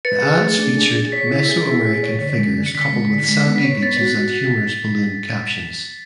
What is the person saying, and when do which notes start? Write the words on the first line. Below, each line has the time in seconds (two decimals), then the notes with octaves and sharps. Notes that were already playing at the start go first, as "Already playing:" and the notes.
The ads featured Mesoamerican figures coupled with sandy beaches and humorous balloon captions.
0.05 B4 A6 C#7
0.22 G#4
0.41 A3
0.58 D4
0.77 G#4
0.95 G#4
1.12 C#5 B6
1.31 E4
1.39 B6
1.49 G#4
1.67 E4
1.85 G#4
2.03 C#5
2.21 D3
2.38 G#3
2.57 D3
2.66 C#7
2.74 D3 B6
2.93 G#3
3.11 D3
3.29 G#3 B6
3.46 B3
3.56 B6
3.64 C#5
3.82 B3 A6
4.01 F#4
4.18 F#4